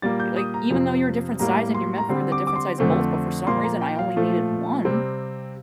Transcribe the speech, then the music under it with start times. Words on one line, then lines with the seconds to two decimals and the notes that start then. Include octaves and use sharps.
like, even though you're a different size and you're meant for the different size bolts, but for some reason I only needed one.
0.02 A#2 G3 A#3 A6
0.20 G6
0.37 D#6
0.54 A#5
0.71 F2 C3 F3
1.39 A2 G3 A#3 A#5
1.75 C6
1.98 A#5
2.08 D3 G3 C4 C6
2.32 D6
2.47 D6
2.56 C6
2.78 F2 D3 A3 C4
3.47 A#2 F3 A#3 C6
3.64 A#5
3.81 G5
3.99 F5
4.16 A#2 F3 A3
4.85 C3 G3 C4